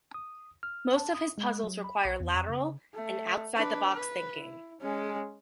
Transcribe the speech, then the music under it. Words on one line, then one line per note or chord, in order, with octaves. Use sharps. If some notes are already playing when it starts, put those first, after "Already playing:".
Most of his puzzles require lateral and "outside the box" thinking.
D#6
F6
A5
D#6
G#3
F#3
B5
B1
E2
F2
C#3
A3
D4 B4
B4
E4
G#3 C#4